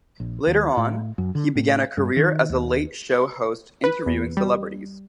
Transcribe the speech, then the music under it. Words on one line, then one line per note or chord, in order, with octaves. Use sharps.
Later on, he began a career as a late show host interviewing celebrities.
A#1
D#2
A2
F#2
D3
A2
G2
D#3
D#2
B4
E2
G3